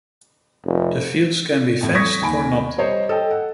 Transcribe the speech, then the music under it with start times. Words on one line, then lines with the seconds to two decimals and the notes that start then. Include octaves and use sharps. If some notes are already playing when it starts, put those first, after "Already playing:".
The fields can be fenced or not.
0.64 F1
1.81 F2 A2
1.95 C#6 D#6 G#6 A#6 B6
2.22 D#2 G#5 B5 D7
2.78 G3 C5 C#5 D#5
3.09 A4 D#5 G5
3.31 F#5